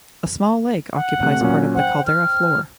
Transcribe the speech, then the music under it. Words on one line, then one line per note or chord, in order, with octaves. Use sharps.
A small lake occupies part of the caldera floor.
F#5
C3 A3 F#6
A#2 F#3 C#4
C5 F#5 G5
F6